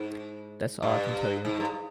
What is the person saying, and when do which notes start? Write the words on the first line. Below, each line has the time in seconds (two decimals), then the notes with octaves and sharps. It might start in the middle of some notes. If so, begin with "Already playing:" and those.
That's all I can tell you.
Already playing: G#2
0.82 G2
1.45 G#2
1.60 G2